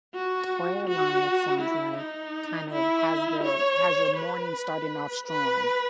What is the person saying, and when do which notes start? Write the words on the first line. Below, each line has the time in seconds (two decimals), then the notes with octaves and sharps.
prayer line, it sounds like, kind of, has the has your morning starting off strong
0.15 F#4
0.88 F#4
1.61 E4
1.98 D#4
2.71 E4
3.43 C#5
4.16 B4
5.26 B4